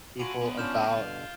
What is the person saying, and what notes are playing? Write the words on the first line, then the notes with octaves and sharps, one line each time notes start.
people about
D3 F4 F#4 G#5 B5 D7 D#7 F#7
D#2 D3 B3
F2 C#3 C#4 D4 F4 F6 G6 E7
G2 B2 D3 F4